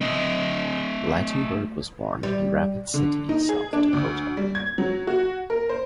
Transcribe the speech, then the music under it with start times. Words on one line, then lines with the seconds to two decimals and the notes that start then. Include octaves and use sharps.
Ligtenberg was born in Rapid City, South Dakota.
0.01 A3 D#5
2.23 G3
2.94 D3
3.29 D#4
3.49 G#4
3.73 D4
3.93 D2
4.37 G3
4.55 G#6
4.78 F#3
5.07 F#4
5.50 A#4
5.69 C5